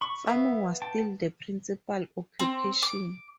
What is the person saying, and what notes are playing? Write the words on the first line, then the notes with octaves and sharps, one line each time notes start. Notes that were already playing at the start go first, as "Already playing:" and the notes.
Farming was still the principal occupation.
B5 C#6
B3 E5 F5
G5 A5
C4
D6